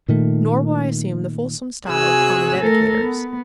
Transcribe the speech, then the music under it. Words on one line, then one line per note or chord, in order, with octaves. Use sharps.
Nor will I assume the fulsome stile of common dedicators.
A#2 D#3 A3
C3 F#4 G#4 G#5 E6 F#6
A3 A4 A#4
B3